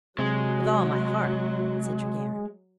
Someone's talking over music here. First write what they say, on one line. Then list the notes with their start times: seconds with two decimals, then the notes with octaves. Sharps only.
"With all my heart," said Tregear.
0.19 C3 F#3 G#3